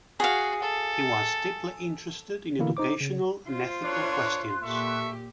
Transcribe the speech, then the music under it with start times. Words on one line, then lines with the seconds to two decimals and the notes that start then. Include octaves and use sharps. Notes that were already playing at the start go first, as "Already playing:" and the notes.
He was deeply interested in educational and ethical questions.
0.20 F#4 G#4 F5
0.62 A4
2.59 D3 E3 A#3 E4
2.77 D#4 C5 D6
3.01 C#3
3.49 F4 C5
3.83 D4 A#4 C#5 C6 F#6
4.64 A#2 G4 A4 E5 C#6